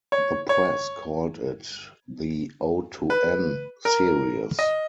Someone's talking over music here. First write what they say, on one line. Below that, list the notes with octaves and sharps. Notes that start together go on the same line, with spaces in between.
The press called it the O-N Series.
C#5
C#5
B4
A#4
D#5